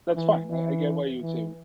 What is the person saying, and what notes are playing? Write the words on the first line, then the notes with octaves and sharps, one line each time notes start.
that's fine, I I get why you'd say,
E3
E3
E3